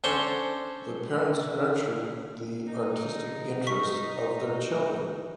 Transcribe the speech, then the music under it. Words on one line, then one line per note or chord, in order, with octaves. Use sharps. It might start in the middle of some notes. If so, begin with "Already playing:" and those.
The parents nurtured the artistic interests of their children.
D3 C#4 C5 D5 C6 C#6
D#4
C#6 B6